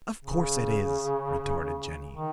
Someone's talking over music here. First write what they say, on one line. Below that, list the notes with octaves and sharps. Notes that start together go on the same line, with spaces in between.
"Of course it is," retorted Jenny.
C#3
D#3